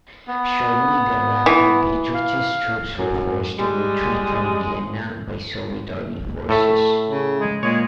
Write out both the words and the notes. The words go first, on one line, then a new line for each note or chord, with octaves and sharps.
Shortly thereafter, Dietrich's troops were forced to retreat from Vienna by Soviet Army forces.
B3
E3
F5
F#2
G3 G#3
A2 A3 A4 E5
C#3
G#3
A#2 G#3 C#5